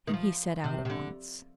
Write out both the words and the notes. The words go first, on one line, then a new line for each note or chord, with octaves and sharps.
And he set out at once.
D#3
F3
C3
C3
D3